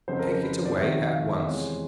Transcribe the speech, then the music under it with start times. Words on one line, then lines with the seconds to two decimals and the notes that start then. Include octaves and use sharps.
'Take it away at once!'
0.08 F2 C#3 F#3 C5
0.19 A#4
0.31 A#4
0.43 B4
0.65 D5
0.76 F2 C3 D#3 F#3 E5
0.94 E5
1.11 F5
1.22 E5
1.34 D#5
1.45 E2 C3 E3 G#3 C#5